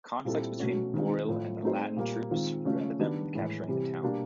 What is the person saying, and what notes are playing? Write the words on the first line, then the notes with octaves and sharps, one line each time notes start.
Conflicts between Boril and the Latin troops prevented them from capturing the town.
A#2 G3 C4 E4 A4
B2 F#3 A3 C#4 F#4
D#3 G#3 C4 F4
A2 F3 A3
A3 C4 D#4 G#4 C5
A#2 G3 A#3
D#3 G#3 C4 F4
C#3 F3 A3 C#4
D#3 G3 B3 D4 G4
A2 E3 G#3
C3 E3 G3
B2 G3 A#3 D4 G4